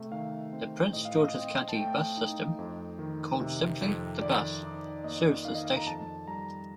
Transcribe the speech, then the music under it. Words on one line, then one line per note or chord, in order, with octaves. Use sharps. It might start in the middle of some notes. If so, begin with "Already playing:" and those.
The Prince George's County bus system, called simply TheBus, serves this station.
Already playing: C3 A3
D#3 F5
C4
A2 D#5
F5
D#5
F5
C4 D#5
A5
A3 G5
D#4
F2
D#3
C3
F2
D#3 D5
D#4
A#3 D#5
D#3 F5
D#5
F5
A#5
F2 A5
G3 A#5